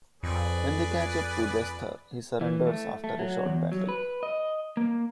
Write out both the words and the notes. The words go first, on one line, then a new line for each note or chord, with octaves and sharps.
When they catch up to Desther, he surrenders after a short battle.
F2 G#4 B4 D5
E3
A3
A3
F#3
E2
F#3
B4
D#5
A#3